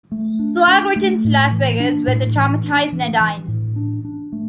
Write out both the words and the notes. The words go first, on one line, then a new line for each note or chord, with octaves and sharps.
Flagg returns to Las Vegas with a traumatized Nadine.
A3
D4
D4
A3
A2
E3
D4
A2
E3
D4
E3
E3
A2
D4
D4
A3